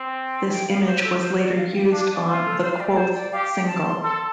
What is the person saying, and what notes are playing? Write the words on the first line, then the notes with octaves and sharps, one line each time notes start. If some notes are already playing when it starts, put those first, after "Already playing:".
This image was later used on the Quoth single.
Already playing: C4
G5
F5
C5
A4
C5
D5
F5
G5
D4 F5
D5
F4 C5
A4
C5
F5
D5
D5
C5
D5
G4 F5
G5
A5
C6
A4 C6